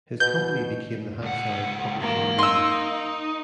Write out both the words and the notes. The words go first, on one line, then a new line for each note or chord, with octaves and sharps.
His company became the Hansard Publishing Union.
B2 G6
C#2 F#5
E2 G#2 A#3
D#4 C6 E6